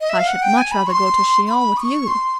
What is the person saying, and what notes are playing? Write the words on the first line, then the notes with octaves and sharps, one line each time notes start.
"I should much rather go to Chillon with you."
D#5
E5
F5
F#5
G5
G#5
B5
C#6
C6
C6
B5
D#6
C#6
C6